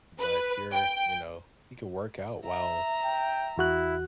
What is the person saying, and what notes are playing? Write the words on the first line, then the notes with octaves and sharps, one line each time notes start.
But here, you know, you could work out while
B4
G5
E5 A#5
G5
E2 E4 F#4 F#6